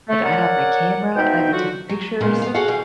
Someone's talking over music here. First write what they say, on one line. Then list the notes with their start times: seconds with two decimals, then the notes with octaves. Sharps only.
Like, I'd have my camera, and I'd be taking pictures,
0.09 A3
0.24 A#4 C#5 D5 F#5
1.15 B2 D#4 C5 E5 G5
1.52 D3 F#3 F4 F#4
1.89 F#3
2.20 A#2 C#3 F#3 G#3 A#3 B3
2.42 B3 F5
2.54 F#4 G#4 A4 C#5 F5 F#5
2.68 E2 B2 G3 G#4 F5